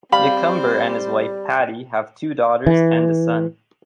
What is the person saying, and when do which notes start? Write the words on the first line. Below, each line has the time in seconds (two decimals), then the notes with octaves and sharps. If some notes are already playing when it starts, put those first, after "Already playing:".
McCumber and his wife, Paddy, have two daughters and a son.
0.12 G3 C4 C5 F5 B5
2.67 E3